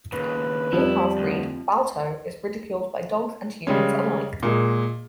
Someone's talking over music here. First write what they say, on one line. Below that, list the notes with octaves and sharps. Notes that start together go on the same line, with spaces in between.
Being half-breed, Balto is ridiculed by dogs and humans alike.
D#2 C#3 B4
F2 F3 G3 E4
D2
C#3 G3 G#3 C#4
A#2 G#3